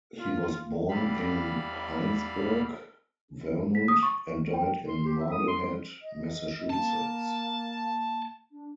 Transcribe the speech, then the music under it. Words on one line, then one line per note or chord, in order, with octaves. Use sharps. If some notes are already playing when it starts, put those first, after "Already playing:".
He was born in Hinesburg, Vermont and died in Marblehead, Massachusetts.
F4
E2 G3 F5 B5
B6
D#6
C#6
G5
C6
G4
E5
D#6
C6
G3
D#5
A#3 A5
D4